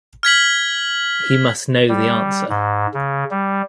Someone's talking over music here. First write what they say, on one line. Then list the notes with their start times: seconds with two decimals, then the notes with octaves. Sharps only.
He must know the answer.
0.23 F6 G#6 B6 F#7
1.89 G3
2.49 G#2
2.94 C#3
3.31 G3